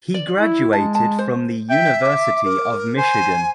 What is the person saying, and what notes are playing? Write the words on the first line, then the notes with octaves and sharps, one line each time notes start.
He graduated from the University of Michigan.
D5
E4
G#3 A5
A5
C5
E5 G5
D6
A#4
C5 G#5